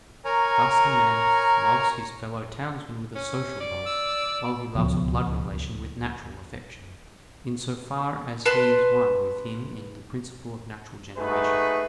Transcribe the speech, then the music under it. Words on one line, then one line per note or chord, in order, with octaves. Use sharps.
Thus a man loves his fellow townsman with a social love, while he loves a blood relation with natural affection, in so far as he is one with him in the principle of natural generation.
A#4 C#5 G#5 A#5
C#4
D5
E6
D1 C#2 B2 F3
B4 A5 C6
A3 D#4 F#4 G#4 B4